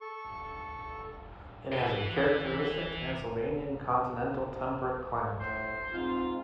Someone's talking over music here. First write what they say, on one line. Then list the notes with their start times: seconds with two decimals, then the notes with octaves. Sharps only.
It has a characteristic Transylvanian continental temperate climate.
0.01 A4 C#6
1.73 E3 B4
5.39 A2 C5
5.93 G#2 C4 F4 F5